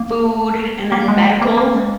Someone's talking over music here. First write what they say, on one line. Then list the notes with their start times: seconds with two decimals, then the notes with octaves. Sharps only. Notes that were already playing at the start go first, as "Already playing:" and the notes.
food, and then medical,
Already playing: A#3
0.92 A#3
1.08 G#3
1.25 A#3
1.42 A#3
1.57 A#3
1.74 G#3